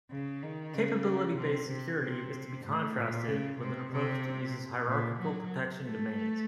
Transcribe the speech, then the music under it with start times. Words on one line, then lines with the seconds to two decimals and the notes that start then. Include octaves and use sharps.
Capability-based security is to be contrasted with an approach that uses hierarchical protection domains.
0.10 C#3
0.42 D#3
0.74 C#3
1.37 C3
1.69 C3
2.01 C3
2.65 A2
2.97 A#2
3.28 C#3
3.60 C3
3.92 C3
4.88 A#2
5.19 F#3
5.83 A3